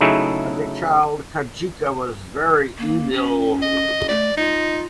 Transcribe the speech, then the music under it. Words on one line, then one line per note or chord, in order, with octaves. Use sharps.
As a child, Kajika was very evil.
C#3 F#3 A3 D#4 E4 G#4
A#3
C#4
D#5
A3 D5
D#4 F4